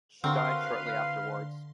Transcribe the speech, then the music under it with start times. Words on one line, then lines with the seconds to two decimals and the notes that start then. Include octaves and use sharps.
She died shortly afterwards.
0.24 D3 C4 F#4 A#4 B4 F5 C6